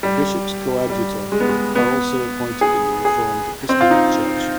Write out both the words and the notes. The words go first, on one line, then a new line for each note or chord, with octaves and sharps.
Bishops coadjutor are also appointed in the Reformed Episcopal Church.
G3
G3
G#3
B3
G#3
B3
G#4
G#4
C4
F4
D#4